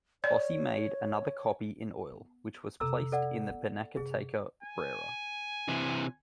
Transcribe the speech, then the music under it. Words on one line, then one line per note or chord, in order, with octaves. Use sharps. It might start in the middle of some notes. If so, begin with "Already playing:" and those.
Bossi made another copy in oil, which was placed in the Pinacoteca Brera.
C#5 D5
B3
F2 C3 A4 A#5 E6
A4 D5 F#5
B3 C#4
F#2 C3 G#4
G#5
C3 E3